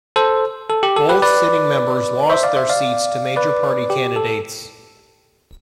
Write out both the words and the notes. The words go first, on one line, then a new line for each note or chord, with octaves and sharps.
Both sitting members lost their seats to major party candidates.
A4 C5
A4
G4
A4
G4 B4
B4 D5
C5 E5
D5 F5
C5 E5
D5 F5
B4 D5
G4
A4